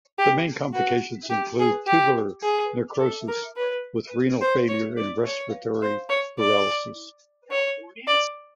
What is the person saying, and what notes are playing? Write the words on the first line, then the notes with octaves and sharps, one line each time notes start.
The main complications include tubular necrosis with renal failure and respiratory paralysis.
G4
F#4
G4
G#4
G4
G#4
A4
A#4
B4
C5
C#5
D5
C#5
C5
C#5
D5
C#5
D5